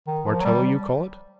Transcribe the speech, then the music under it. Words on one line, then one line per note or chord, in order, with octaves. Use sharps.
Martello you call it?
D#3
F3
F#3
G3